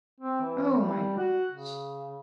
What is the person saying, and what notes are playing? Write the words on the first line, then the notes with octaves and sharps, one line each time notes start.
Oh my gosh.
C4
E3
G3
F#4
C#3